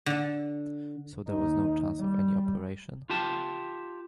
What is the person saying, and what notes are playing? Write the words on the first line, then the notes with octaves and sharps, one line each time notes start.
So there was no chance of any operation?
D3 A4
D#2 D#4
G3
F4 G4 A5